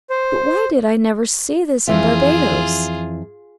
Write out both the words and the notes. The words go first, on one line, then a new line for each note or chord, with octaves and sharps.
"But why did I never see this in Barbadoes?"
C5
F2 E3 F4 G#4 E5